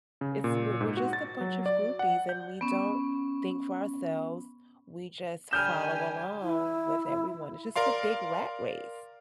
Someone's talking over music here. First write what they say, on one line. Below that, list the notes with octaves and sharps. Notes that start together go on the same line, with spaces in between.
it's we're we're just a bunch of groupies, and we don't think for ourselves, we just follow along with everyone, it's just the big rat race.
C#3
A#2
G#2
F#4
A6
F#3
D5
F#5
G6
B3 C#4
D3 G3 G#5 F6 G6 E7
E4
A#4 D5 F5 C6